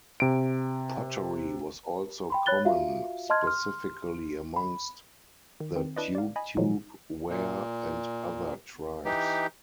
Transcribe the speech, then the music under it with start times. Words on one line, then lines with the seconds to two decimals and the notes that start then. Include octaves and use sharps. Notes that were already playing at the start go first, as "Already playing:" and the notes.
Pottery was also common, specifically amongst the Tubetube, Ware and other tribes.
0.20 C3 D7
2.30 G5 B5 C6
2.46 C#5 B5 F#6 A6 G7
2.65 F4 F#4 E5 F5
3.30 D#5 A5 C6 F6 G#6
3.43 C6 F6
4.56 B5
5.60 D#3
5.76 D#3 C4
5.96 D4 E4 B4 D5 D#5
6.15 D5 F5
6.36 D#5 G#5 B5
6.57 A#2 D3 D#3 F3 F#3 G#3
7.29 A#2
9.05 E3 D#4 G4